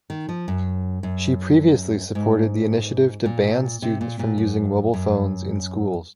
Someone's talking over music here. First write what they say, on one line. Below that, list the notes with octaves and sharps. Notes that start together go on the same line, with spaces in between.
She previously supported the initiative to ban students from using mobile phones in schools.
D#3
F3
F#2
F#2
G#2
A#2
C3
A#2
A#2
F#2
F#2